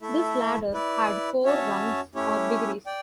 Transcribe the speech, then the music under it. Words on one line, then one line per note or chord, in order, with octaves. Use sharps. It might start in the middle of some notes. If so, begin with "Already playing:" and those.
This ladder had four rungs or degrees.
A3 E4 A4 E5
E4 B4 D5
C#4 F#4 C#5 E5 A5
A3 C#4 E4 G4 C#5
D5 G5